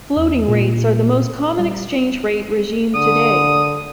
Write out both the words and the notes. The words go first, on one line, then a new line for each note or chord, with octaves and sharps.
Floating rates are the most common exchange rate regime today.
E2
A#2
G3
D3 D#6